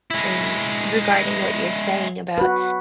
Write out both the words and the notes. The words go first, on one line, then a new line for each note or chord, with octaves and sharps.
and regarding what you're saying about,
G#3 E4
F#4 B4